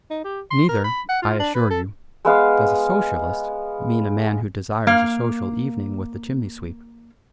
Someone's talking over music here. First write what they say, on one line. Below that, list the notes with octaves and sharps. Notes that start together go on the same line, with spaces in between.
Neither, I assure you, does a Socialist mean a man who desires a social evening with the chimney-sweep.
D#4
G4
C6
A#4
B5
F#5
F4
D4
B4
A4
G#3 B3 F5
A#3 F5